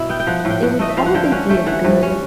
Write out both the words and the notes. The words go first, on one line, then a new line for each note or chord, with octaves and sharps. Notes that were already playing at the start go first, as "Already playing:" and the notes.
it would probably be a good
Already playing: B2 E4
B3 G5
G5
F3 F#5
F#5
A2
G5
A2 F#5
A3 D#5
E5
F3 F5
F#5
D3 G5
F5
C#4 F#5
A3 G5
E3 F#5
G2
C#4